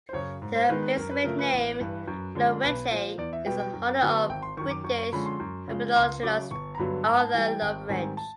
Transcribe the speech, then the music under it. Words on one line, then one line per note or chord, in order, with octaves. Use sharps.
The specific name, "loveridgei", is in honor of British herpetologist Arthur Loveridge.
C5
F#2 C#3 C#5
G#2
C5
D#3 G#3 B3 D#4 B4
B4
F#2 A#4
B4
C#3 F3 A3 A#4
B4
A1
G2 E3
F#2
D3 F3 G#3 C#4
B1 B4
A#2 F3 C5
E2 D5
E5
B2 G3 B3 G5
G5
F#2
D3 F#3 B3
G#1 G5
C6
F#2 D#3 C#6
D6
F#2 C#6
C#6
D3 F3 G#3 C#4 B5
C6
F#2
C#3 F3 G#3
C#2 C6
C#3 F#3 D6
G1 C#6
A#5
G2 D3 F#3 B3 B5
G#2 A#5
A5
E3 G3 G#5
G5
G#1 G5
G#2 D#3 G3 C4 G#5
A5